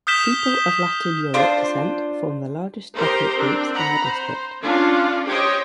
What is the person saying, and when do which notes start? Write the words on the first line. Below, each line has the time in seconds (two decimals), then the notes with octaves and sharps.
People of Latin Europe descent form the largest ethnic groups in the district.
0.07 D#6 F6 G6 B6 E7 G7
1.34 D4 F4 C5
2.94 D#4 G4 A#4 C5
3.36 C4 D4
3.73 F#5 A#5 B5
4.04 C5
4.62 C#4 D4 F4
5.27 G4 C5 C#5 D#5 G5